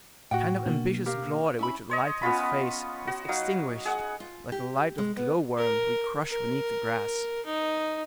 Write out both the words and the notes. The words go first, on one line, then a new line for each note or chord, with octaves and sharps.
A kind of ambitious glory which had lighted his face was extinguished, like the light of glow-worms we crush beneath the grass.
A2 F#4 F#5 G5
B2 A#3 D4
G4 A#4 F5
C#4 E4 B5
C5 C#5 D#5
B3 C#4 F4 B5
F#4
F#3 D#4 F5
G#4 F#5
F4
G4
G#3
B3
A#4
A#4
D#4